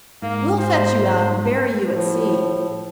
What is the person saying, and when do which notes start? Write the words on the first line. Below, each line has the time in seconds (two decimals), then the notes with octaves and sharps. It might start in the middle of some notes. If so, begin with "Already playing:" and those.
"We'll fetch you out and bury you at sea."
0.22 G#2 A#3
0.59 C5
1.90 A2 F3